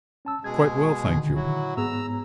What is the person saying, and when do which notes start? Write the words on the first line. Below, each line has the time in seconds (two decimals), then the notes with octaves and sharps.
"Quite well, thank you."
0.25 C#4 A5 E6
0.44 B2 G#3 G#4 G#6
1.04 A#2 D3 D#3
1.35 F#3 E4 F#4
1.77 G#2 B3 G#4 A#5 E6